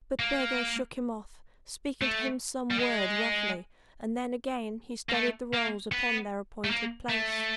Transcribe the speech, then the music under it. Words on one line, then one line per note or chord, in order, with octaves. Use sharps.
But Burgo shook him off, speaking to him some word roughly, and then again he steadied the rolls upon their appointed place.
A#3
A3
G3
G#3
A#3
A3
A#3
B3
A3
A#3
A3